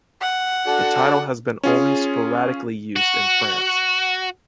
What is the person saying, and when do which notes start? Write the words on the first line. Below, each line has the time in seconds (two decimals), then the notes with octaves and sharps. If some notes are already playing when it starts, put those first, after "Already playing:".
The title has been only sporadically used in France.
0.21 F#5
0.67 D4 F#4 A4
1.64 C#4 F4 G#4
2.96 F#4